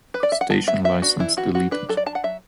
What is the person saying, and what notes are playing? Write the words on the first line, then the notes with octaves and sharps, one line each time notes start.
Station license deleted.
B4
D5
E5
F#5
B3 A5
F#3 E5
B3 E5
D4 F#4
E3 E4
E3 F#4
E3 F#4
D4 B4
F#3 A4
D5
D4 A5
F#5
F#3 E5